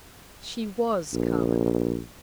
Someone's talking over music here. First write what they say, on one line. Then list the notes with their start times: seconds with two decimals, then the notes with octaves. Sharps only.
She WAS CARMEN.
1.13 A#1